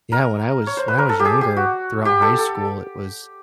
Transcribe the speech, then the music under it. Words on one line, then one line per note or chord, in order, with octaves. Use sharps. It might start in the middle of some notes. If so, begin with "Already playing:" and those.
yeah, when I was when I was younger, throughout high school, it was,
A#4
C#5
C5
B4
A#4
A4
G4
G#4
G4
F#4
G4
A4
A4